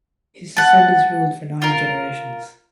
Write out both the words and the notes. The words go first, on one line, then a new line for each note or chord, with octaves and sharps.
His descendants ruled for nine generations.
F#5 A5
F4 A#4